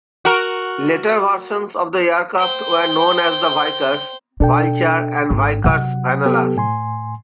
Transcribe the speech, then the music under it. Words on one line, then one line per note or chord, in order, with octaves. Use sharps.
Later versions of the aircraft were known as the Vickers Vulture and Vickers Vanellus.
F#4 A#4
C5 G5
B2 D4 A4 G5
G#1
C3 F#3 F#5
B3 G4 A4
A2 G#5 C6